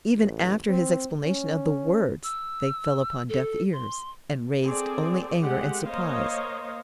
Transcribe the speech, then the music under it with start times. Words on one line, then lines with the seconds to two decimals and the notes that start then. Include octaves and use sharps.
Even after His explanation of the words they fell upon deaf ears and raised only anger and surprise.
0.17 A1
0.69 C4
1.24 C#4
2.23 E6
3.29 A4
3.73 C6
4.65 C4 G#4 A4 D5
5.41 G#3 A3 C4 G4 F#5
5.86 A#3 C5 C#5 D#5 F5